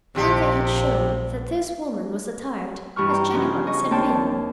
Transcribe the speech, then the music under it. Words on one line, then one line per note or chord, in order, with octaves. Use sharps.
And they had shown that this woman was attired as Jennie Brice had been.
A#1 C3 F3 G4
G2 E3 G4 C#6 F6
G5 A#5
C#3 F3 B3 C#4 D#4
D#5 C#6
D#2 C4 D4 C#5 G5 A5